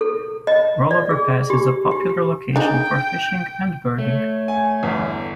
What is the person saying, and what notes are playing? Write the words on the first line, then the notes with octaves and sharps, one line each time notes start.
Rollover Pass is a popular location for fishing and birding.
A4
D#5
D5
G#4
G4
G4
D4 D#4 G#4 G5
A3 C#5
G#5
G1 E2